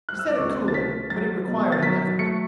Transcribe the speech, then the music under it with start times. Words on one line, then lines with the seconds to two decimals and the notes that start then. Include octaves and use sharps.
He said it coolly but it required an effort.
0.09 F#6
0.19 E6
0.28 D6
0.37 C#2 C#6
0.68 A6
0.74 A3 B6
1.10 F#3 A6
1.47 B2
1.72 A6
1.83 F#3 B6
2.19 A3 C#7